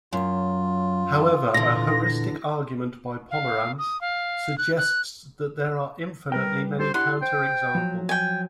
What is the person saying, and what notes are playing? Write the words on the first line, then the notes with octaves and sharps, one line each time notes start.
However, a heuristic argument by Pomerance suggests that there are infinitely many counterexamples.
F#2 F#3 F4
E2 A#2 D3 A#6
F5
D#6
F5
F#6
F#6
G3 A#4 B4 G5
G3 G4 A4 C5
D4 E4 G4 F#5 C6
C5 G5
F3 F#3
G5 G#5